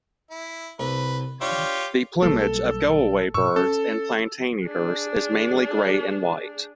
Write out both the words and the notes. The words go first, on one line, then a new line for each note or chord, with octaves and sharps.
The plumage of go-away-birds and plantain-eaters is mainly grey and white.
E4
C2 B4
D4 F4 G4 C#5
B1 G3 A#3 A4
G2 B2 C#6 E6
C#4 A4
D4 G#4